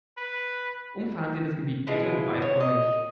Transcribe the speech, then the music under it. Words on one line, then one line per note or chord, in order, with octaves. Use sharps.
Umfahren Sie das Gebiet bitte weiträumig.
B4
B2 G#3 E4 F4
C#5
D#5